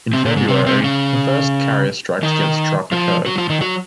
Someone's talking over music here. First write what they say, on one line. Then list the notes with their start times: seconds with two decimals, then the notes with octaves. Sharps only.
In February the first carrier strikes against Truk occurred.
0.13 C3 C4
0.25 A#2 A#3
0.37 G#2 G#3
0.48 C3 C4
0.66 C3 C4
0.84 C#3 C#4
2.23 D#3 D#4
2.92 F3 F4
3.26 F#3 F#4
3.38 F3 F4
3.50 D#3 D#4
3.61 F#3 F#4